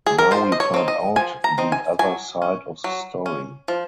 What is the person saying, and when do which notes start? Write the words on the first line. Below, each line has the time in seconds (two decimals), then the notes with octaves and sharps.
Now we find out the other side of the story.
0.06 G#4
0.18 A#4
0.31 F3 C5
0.52 D#5
0.60 C#5
0.74 C4 D#4
0.88 D#5
1.16 F3 G#5
1.44 A#5
1.58 C4 D#4
1.72 G#5
1.99 F#3 G#5
2.42 C#4
2.84 F#3
3.26 C#4
3.68 F3